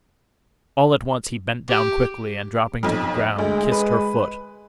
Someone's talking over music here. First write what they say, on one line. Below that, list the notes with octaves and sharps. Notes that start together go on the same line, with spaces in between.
All at once he bent down quickly and dropping to the ground, kissed her foot.
G4
B1 F2
D2 G#3
B4